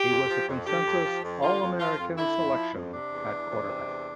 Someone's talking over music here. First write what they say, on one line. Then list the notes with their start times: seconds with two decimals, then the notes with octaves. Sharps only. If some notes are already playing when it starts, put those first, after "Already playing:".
He was a consensus All-American selection at quarterback.
Already playing: G4
0.10 F2
0.29 F3
0.48 F2
0.66 D3 G4
0.85 F2
1.05 F3
1.23 F2
1.42 D3 F4
1.61 F2
1.80 F3 F4
1.98 F2
2.17 D3 E4
2.37 F2
2.54 F3
2.74 F2
2.93 C3 D4
3.11 E2
3.30 E3
3.50 E2
3.68 C3
3.87 E2